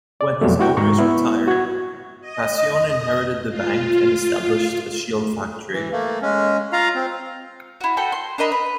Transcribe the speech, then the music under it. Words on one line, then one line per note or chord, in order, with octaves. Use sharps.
When his owners retired, Pasion inherited the bank and established a shield factory.
D5
F2 B2 F#3 G3 A3
E4 F#4 G5
G#2 A#5 C#6
B3 E4
F#4 G#6
D#5
F4
E3
A3 A#3
G#3 C#4
F4 F5 A#5
C4
E4 F#4
F#4 A4 G5
C6
D4 A#4 D#5 B5
B4